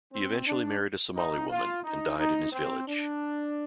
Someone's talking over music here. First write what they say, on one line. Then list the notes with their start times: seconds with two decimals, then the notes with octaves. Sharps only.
He eventually married a Somali woman and died in his village.
0.11 C4
0.46 D4
1.15 D#4
1.49 F4
1.84 D#4
2.18 D#4
2.52 C4
2.87 D4